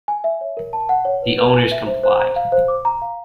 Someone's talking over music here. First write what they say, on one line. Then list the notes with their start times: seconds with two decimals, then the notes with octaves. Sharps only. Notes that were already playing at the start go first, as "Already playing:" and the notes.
The owners complied.
0.08 G#5
0.24 E5
0.41 C#5
0.57 A#4
0.73 A5
0.89 F#5
1.05 C#5
1.22 B4
1.38 B4
1.55 G#5
1.71 E5
1.87 C5
2.03 C5
2.19 A#5
2.36 F5
2.52 C5
2.68 D6
2.85 A#5
3.02 F5